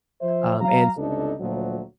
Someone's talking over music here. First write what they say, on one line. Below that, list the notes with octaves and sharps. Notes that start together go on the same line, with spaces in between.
Um, and
F3 C5 E5
F#3 F5 A#5
G1 C#2 C3 D4 D#4 A4
D2 A#2 F3 F#3